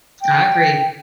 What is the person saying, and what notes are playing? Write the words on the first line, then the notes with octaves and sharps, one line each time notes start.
I agree.
G5